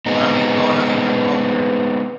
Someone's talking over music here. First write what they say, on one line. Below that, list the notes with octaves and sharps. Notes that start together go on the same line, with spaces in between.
And I mean, gone I mean, like, gone forever.
G#3 B3 C4 D#4